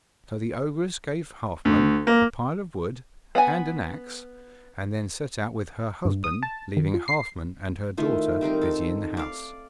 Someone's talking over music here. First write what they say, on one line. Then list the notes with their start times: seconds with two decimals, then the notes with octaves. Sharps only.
So the ogress gave Halfman a pile of wood and an axe, and then set out with her husband, leaving Halfman and her daughter busy in the house.
1.65 D2
2.07 A#3
3.35 B3 F#5 G#5
6.05 G2
6.24 D#6
6.43 A5
6.77 D#3
6.94 F4
7.08 C7
7.97 D#3 A3 E4 F4
8.41 G3 C4 D#4 A#4
8.61 A4
9.17 D5 F5